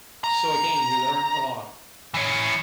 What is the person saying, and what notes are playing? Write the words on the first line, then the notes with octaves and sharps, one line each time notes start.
So again, we learned a lot.
A#5
E3 C#5